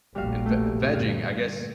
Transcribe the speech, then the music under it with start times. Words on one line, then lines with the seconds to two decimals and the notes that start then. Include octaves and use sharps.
and v vegging, I guess,
0.15 F1 A#1 A#2 G3 F#4 F5
0.46 A3
0.94 D2 G2 A#2 F5